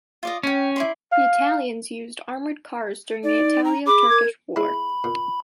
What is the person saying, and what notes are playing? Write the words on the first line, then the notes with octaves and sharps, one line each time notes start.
The Italians used armored cars during the Italo-Turkish War.
F4 D5 D#5
C#4 C#5 G5
E4 D5 C6
F5
D#4 D5
A#5
G#4 B5 D6
A#4 G#6
G#3 E4 B5
A#2